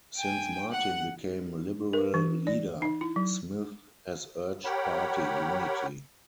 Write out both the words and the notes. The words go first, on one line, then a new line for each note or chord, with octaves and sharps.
Since Martin became Liberal leader, Smith has urged party unity.
G5 G#5
F#5 F#6
A#4
E3
D5
D#4
E4
F#3
G4 A#4 C#5 F#5 G5 B5